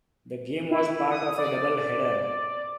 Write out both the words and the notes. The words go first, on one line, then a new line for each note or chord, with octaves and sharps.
The game was part of a double header.
E4
D#6
D5